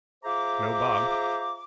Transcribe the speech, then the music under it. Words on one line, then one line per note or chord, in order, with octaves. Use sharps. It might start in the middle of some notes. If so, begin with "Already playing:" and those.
No Bob.
F4 G#4 C5 E5 A#5 D6